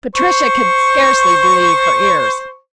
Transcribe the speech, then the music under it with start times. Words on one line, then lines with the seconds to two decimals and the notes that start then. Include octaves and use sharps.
Patricia could scarcely believe her ears.
0.16 C5 C#6